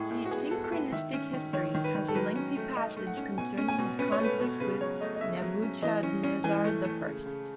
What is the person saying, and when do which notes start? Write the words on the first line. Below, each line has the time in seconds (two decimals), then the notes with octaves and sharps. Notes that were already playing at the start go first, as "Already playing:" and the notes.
The "Synchronistic History" has a lengthy passage concerning his conflicts with Nebuchadnezzar the First.
Already playing: A2 G#3 G#4
0.11 A2
0.25 F#4
0.31 B3 G#4
0.51 B3 A4
0.64 A4
0.72 A2 B4
0.92 D#3 E5
1.13 C#4
1.33 D#3
1.53 D#3 C#5
1.75 D#3
1.84 B4
1.95 D#3
2.08 A4
2.15 F#3 B4
2.36 C#4
2.56 A3
2.76 A3 D#5
2.96 A3
3.07 F#5
3.17 C#4
3.38 B2 G#5
3.58 C#4
3.68 G#5
3.79 B2
3.99 C#4 B4
4.12 C#5
4.20 A3 B4
4.40 B2
4.60 C#3 B4
4.80 F#3 C#5
5.01 A3 D#5
5.16 D#5
5.21 C#3 E5
5.42 F#3
5.62 C#4
5.82 E3 D#5
6.03 C#4
6.24 C#4
6.44 E3 G#5
6.64 A3
6.85 A3
7.05 C#3
7.26 C#3